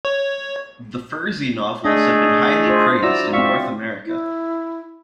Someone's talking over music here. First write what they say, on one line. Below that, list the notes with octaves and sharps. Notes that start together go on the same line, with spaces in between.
The Fursey novels have been highly praised in North America.
C#5
A3 D4 G#4 D#5
F4 C5
E4 F#4 D5 A#5 E6
C4 D5 E5 F5 C#6
E4